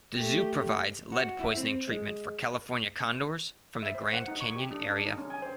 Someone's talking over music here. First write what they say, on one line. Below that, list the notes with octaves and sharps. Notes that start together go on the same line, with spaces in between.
The zoo provides lead poisoning treatment for California condors from the Grand Canyon area.
A3 G4
F#4
E4
C4
G#3
E5
C5
F#5
D#4
C#6
G4
D4
D4
D#4
C#4
G#5
C5